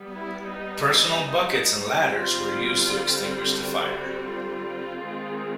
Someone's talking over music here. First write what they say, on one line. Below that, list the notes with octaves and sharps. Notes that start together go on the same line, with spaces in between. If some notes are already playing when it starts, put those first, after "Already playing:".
Personal buckets and ladders were used to extinguish the fire.
Already playing: G3 B3
E4
D#4
D3 G3 C4 F4
F#4
F4
D#3 G#3 C4